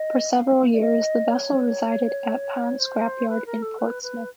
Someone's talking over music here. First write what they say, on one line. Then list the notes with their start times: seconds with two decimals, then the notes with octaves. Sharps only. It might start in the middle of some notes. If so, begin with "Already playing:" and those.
For several years the vessel resided at Pounds scrapyard in Portsmouth.
Already playing: D#5
0.31 F5
0.74 D5
0.80 D#5
1.30 C#5
2.79 C5
3.29 B4
3.46 A#4
3.62 A4
3.79 B4
4.03 B4